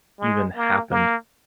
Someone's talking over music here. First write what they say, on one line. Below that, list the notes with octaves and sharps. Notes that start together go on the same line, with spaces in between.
even happened.
G#3
A#3
A#3